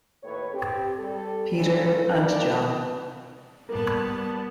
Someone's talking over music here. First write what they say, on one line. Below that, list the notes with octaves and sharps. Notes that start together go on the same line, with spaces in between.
Peter and John.
D#2 A2 B4 C#5
C4 G4
G3 A4
A#2 D3 E3 C#4 D#4 A4
F3 G3 A#3 A4 D5
G3 A#3 B3 A5